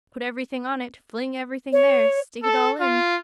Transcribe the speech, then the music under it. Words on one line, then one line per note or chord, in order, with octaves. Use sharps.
Put everything on it, fling everything there, stick it all in.
C#5
A4
F4